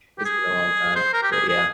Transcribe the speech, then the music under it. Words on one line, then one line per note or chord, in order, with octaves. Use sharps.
it's been a long time, but yeah.
G4
G#4
C5
A#4
G4
G#4
G#4